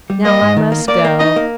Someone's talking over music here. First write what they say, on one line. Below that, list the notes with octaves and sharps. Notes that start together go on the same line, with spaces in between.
'Now I must go.
G3
A#3 D#5
G#2
D#3
A#3
A#3 D5
A#3
D#4 D#5
A#3